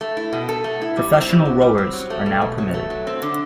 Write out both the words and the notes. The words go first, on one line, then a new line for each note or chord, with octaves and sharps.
Professional rowers are now permitted.
A3
E4
B2
A4
A3
E4
G3
C4
A2
F#4
G3
C4
F#3
A3
B2
B2
F#3
A3
F#3
C4
D3